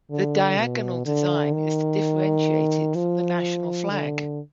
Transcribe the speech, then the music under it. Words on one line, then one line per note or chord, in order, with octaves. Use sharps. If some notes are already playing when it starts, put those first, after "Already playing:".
The diagonal design is to differentiate it from the National flag.
D3
B2
D3
D#3
F3
D3